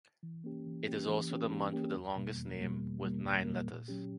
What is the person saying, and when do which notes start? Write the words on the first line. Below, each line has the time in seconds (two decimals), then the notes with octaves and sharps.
It is also the month with the longest name with nine letters.
0.23 E3
0.44 A#3 C#4 G4
0.66 E3
0.88 A#3 C#4 G4
1.09 E3
1.31 A#3 C#4 G4
1.52 E3
1.73 A#3 C#4 G4
1.95 E2
2.16 B2 G3 A#3
2.37 E2
2.59 B2 G3 A#3
2.80 E2
3.02 B2 G3 A#3
3.24 E2
3.45 B2 G3 A#3
3.66 A#2
3.88 F#3 C#4 G4